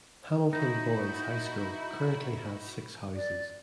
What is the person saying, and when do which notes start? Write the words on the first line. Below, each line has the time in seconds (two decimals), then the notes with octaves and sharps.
Hamilton Boys' High School currently has six houses.
0.53 D#4 E4 F#4 G6
3.15 D5